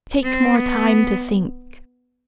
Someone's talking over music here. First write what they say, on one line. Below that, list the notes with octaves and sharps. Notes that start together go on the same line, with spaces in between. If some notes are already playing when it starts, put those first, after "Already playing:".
Take more time to think.
C4
B3